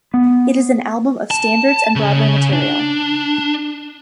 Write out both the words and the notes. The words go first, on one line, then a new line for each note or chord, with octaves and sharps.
It is an album of standards and Broadway material.
B3
A5
C#3
D4